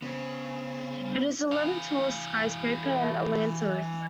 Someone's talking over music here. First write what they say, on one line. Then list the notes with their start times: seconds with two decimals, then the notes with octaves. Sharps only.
It is the eleventh-tallest skyscraper in Atlanta.
0.02 C#3 B3 C5
1.52 E3 F5